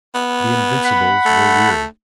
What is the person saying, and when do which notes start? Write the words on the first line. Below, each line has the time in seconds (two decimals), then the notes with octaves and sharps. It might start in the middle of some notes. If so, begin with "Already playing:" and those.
The Invincibles were weary.
0.15 B3
0.84 F#5 B5
1.25 A3